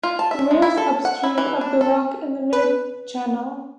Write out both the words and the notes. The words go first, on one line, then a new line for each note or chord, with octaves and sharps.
The weir is upstream of the lock and in the mid-channel.
F4
A5
E5
G#3
E4
A4
F#5
E4
E3
D4
A4
B4